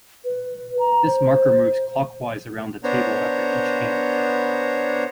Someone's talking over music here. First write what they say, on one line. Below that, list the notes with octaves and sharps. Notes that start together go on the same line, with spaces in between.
This marker moves clockwise around the table after each hand.
B4
A#5
C5
B3 D4 C5 C#5 A#5